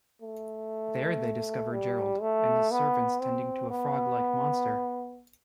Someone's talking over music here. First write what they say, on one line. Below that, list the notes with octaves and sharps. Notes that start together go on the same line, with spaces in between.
There they discover Gerald and his servants tending to a frog-like monster.
A3
G3
A3
B3
C4
B3